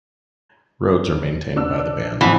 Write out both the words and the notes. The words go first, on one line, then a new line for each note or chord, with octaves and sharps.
Roads are maintained by the band.
D4 E6
A1 F2 A2 E3